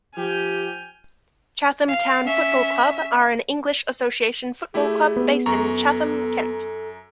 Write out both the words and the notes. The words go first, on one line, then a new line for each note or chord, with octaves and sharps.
Chatham Town Football Club are an English Association Football club based in Chatham, Kent.
F3 G4 G#5 F6 G6
F5
C#4 E5
A3 E4 G4 G#4
B3
F#2 A4 A#5 C#6